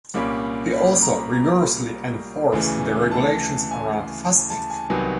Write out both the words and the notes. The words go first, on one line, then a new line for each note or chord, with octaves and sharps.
He also rigorously enforced the regulations around fasting.
C2 A#2 G3 A#3 C#4 B5
B5
A#5
A#5
D2 C#3 E3
A5
G#5
A5
G#5
C2 C3 D#3 F#3 B3 G#5